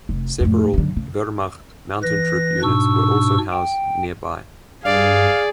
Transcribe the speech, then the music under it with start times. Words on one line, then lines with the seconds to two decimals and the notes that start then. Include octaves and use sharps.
Several Wehrmacht mountain troop units were also housed nearby.
0.09 F1
0.40 F2 A2
0.73 F#2 D3
0.97 C#3
2.03 E3 B4 A#6
2.63 G#2 B2 D4 C#6 E6
3.52 G5
4.85 G2 G#4 D5 F5